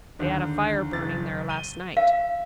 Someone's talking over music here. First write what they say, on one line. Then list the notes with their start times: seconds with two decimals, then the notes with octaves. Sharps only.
"They had a fire burning there last night."
0.19 D#2 D3
0.93 F#1 A6
1.49 D#7 G7
1.97 E5 F5